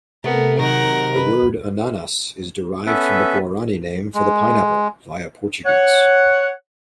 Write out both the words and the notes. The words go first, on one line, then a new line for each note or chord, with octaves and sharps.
The word "Ananas" is derived from the Guarani name for the pineapple, via Portuguese.
C3 A3 B3 A#4
D#3 F#3 D#4 G#4 A#4 F#5 A#6
B4
B3 C#4 A4 B4 E5
G#3
C#5 F#5